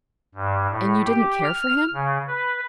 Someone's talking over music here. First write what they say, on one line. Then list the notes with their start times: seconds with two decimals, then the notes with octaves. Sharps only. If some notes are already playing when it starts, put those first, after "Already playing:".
"And you didn't care for him!"
0.35 G2
0.71 A2
1.05 G4
1.44 F6
1.93 C#3
2.27 B4